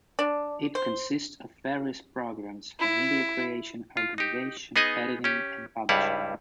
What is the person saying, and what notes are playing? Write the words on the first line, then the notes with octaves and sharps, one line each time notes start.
It consists of various programs for media creation, organization, editing and publishing.
D4
C5
E4
F4
D#4 G4
B3 D#4 G#4 D#5 G#5
C#4 G4
C#2 G2 G3 E4 F5 F#5